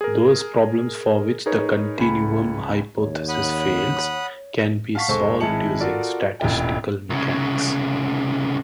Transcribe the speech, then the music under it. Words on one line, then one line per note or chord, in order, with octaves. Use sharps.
Those problems for which the continuum hypothesis fails, can be solved using statistical mechanics.
G#4 A#4
D#4 G#4 A#4 B4 C#5
C#2 G#5 B5 C#7
D#2 C#5
F#5 B5 D#6
F5 F#5 A5 C#6 B6
F1 G#3 A4 C5 C#6
G#1 G#3 E4 A5 C#7 F#7
F4 F#4 A4 A#4 D5
E1 A1 A#2 E4 G5
C2 C#3